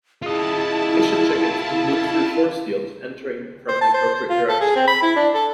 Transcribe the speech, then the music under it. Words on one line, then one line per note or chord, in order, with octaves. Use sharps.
Fish and chickens can move through force fields if entering from the appropriate direction.
E4 F4 G#4 D#5 A5
C5
A5
C5
C5
F4
A4
G#4
C4
B5
E4
D4
A4